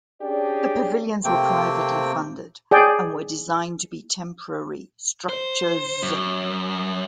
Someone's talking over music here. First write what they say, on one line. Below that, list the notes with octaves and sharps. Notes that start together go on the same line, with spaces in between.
The pavilions were privately funded and were designed to be temporary structures.
C#4 D4 G4 G#4 D5
C3 A3 A#3 C4 G5
G#4 D5 G5
C5
F#2